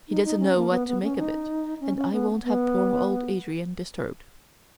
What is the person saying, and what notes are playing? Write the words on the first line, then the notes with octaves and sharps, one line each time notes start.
He doesn't know what to make of it, and I won't have poor old Adrian disturbed.
D#4
D#4
C#4
A#3
B3
B3
C#4
D#4
C#4
C#4
B3
B3